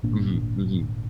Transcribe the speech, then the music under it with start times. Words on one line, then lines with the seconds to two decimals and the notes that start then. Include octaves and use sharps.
Mhm, mhm.
0.03 G#1 A#2 A#3 D4